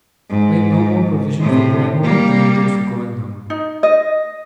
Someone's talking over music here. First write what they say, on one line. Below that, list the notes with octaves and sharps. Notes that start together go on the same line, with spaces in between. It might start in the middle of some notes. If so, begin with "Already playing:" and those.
We made no more provision for growing older, than we did for growing younger.
G#2
A2 C3
G3 A#3
D#4
D#5